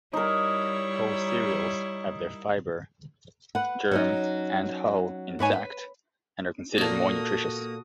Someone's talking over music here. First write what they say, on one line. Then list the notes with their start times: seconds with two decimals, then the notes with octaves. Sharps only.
Whole cereals have their fiber, germ and hull intact and are considered more nutritious.
0.13 G3 D#4 E4 A#4 C#5
3.55 B4 F#5
3.91 F#3 C#4 D#4
5.39 G#2 B4 C#5 G#5
5.53 B4
6.78 A#2 A#3 F#4 A4 D#6